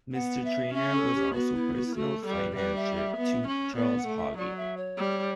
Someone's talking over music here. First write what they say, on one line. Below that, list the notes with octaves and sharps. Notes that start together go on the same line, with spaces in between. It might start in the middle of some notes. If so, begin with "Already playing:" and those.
Mr. Traynor was also personal financier to Charles Haughey.
B3 F#5
E5
C#4 E5
A4
G4
B3 F#4
E4
F#4
E4
A3 F#4
A4
G3
B4
G3 B4
E5
E5
B3
C#4
B3 D5
F#5
A3
E5
F#3 D5
E5
C#5
G3